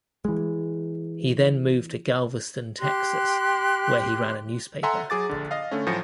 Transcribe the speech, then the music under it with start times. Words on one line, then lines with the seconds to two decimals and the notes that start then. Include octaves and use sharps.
He then moved to Galveston, Texas where he ran a newspaper.
0.25 E3 G#3
2.79 G4 C6 F#6
4.83 A4 E5 F#5 G#5 A#5 C6
5.10 F#3 G#4 D6 A6
5.29 A#1 D3
5.51 D#5 F5
5.71 D3 A3 C#4
5.86 A2 F3 F#3 G#5 A#6 C#7